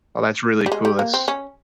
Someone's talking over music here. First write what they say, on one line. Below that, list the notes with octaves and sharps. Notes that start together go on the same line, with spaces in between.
Well, that's really cool. That's
G3
G#3
G3
A#3
C4
C#4